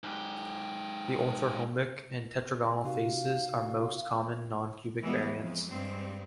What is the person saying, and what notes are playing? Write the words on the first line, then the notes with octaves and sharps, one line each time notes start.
The orthorhombic and tetragonal phases are most common non-cubic variants.
G#2 G4
C3 D#4 F#4 F5
E3 G3 G#3 B3
F2 G#3
G2 G#3 C4